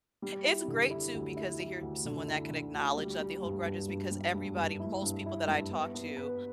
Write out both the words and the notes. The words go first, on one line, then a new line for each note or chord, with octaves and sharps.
It's great too because to hear someone that could acknowledge that they hold grudges because everybody, most people that I talk to,
G3
E4
D3
E4
D2
E4
E4
D2
D3
E4
D3
D2
G3
G3
G2
G2
G2
G3
G2
G2
E4
G2
E4
G2
B3
B3
B4